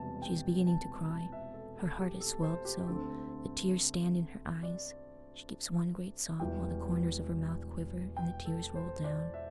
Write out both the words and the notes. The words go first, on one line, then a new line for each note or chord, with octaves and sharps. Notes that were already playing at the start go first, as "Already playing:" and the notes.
She is beginning to cry: her heart has swelled so, the tears stand in her eyes; she gives one great sob, while the corners of her mouth quiver, and the tears roll down.
Already playing: E1 E2 C3 E3 G3 A5
G5
A5
A5
E5
A4
A4
G4
A4
C5
G4
D2 D3 C4 A4
D5
E1 E2 E3 G3 G5
G5
A4
C5
D5
E5